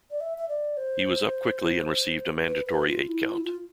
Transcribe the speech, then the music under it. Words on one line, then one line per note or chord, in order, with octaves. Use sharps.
He was up quickly and received a mandatory eight-count.
D5
E5
E5
D5
C5
B4
B4
F4
E4
F4
E4
F4